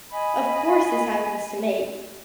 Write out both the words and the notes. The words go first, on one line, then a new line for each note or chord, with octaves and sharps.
"Of course, this happens to me."
D#5 G#5 B5